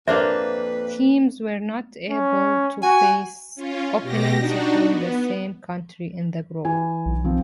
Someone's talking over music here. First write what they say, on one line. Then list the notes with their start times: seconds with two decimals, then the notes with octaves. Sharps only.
Teams were not able to face opponents from the same country in the group.
0.08 F2 A#2 A#3 D4 B4 C5 E5
2.10 C#4
2.83 F#4 G#5
3.56 C#4 F4
4.02 B2 G4 A#6
4.38 D4 D#4 F#4
4.89 B3
6.65 E3 G#5
7.06 B1
7.24 F3 C4